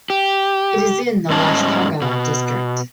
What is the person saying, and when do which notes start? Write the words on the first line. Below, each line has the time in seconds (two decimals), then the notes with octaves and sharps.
It is in the Lashkargah District.
0.10 G4
1.30 G#2 G3 C#4 D#5 A5
2.02 B2